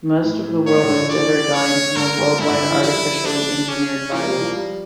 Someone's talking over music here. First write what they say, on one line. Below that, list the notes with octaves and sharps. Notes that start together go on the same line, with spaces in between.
Most of the world is dead or dying from a worldwide, artificially engineered virus.
A2
A2
C#3 C#5
D3
D3
F3
E3 D5
C#5
D3 A#4
F2
F2 E4
D3
E3
F3
G3 E4
D4
C#4
F3 A#3
G3
F3
G3